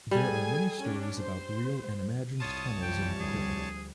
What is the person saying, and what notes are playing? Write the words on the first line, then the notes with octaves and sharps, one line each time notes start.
There are many stories about real and imagined tunnels in the hill.
G3 G#4 A4 G#5
C#4 D4
C5
C2 F4 C#5 A5 D#6
F#2 E3 F3 G3 G5
D2 F3 G#4